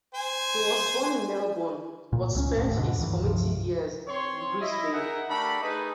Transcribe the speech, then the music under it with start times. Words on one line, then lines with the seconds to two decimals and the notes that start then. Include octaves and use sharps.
He was born in Melbourne, but spent his formative years in Brisbane.
0.15 C5 G#5
2.13 A#2
2.35 C#2 G#3 C#4
2.56 F#1 D#2 A2
2.76 G#2 B2 D3
2.99 E2 G2 D#3 E3
3.22 C#2 G2 C3 F3
4.07 C4 C#5 C6
4.61 E4 D#5
4.93 D#4 G#4 A#4 E5 F#5
5.28 A3 D4 G4 A4 A#4 B5
5.61 A3 D#4 G#4 B4